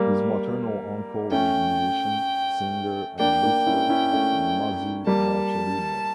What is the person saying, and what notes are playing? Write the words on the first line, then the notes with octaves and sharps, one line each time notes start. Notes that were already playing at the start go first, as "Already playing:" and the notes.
His maternal uncle was musician, singer, and whistler Muzzy Marcellino.
Already playing: G3 A#3
A3 C#4 G5
A#3 D4 G5
A#3 D4
C#4 E4
C#4 E4
A3 C#4
G3 A#3 A5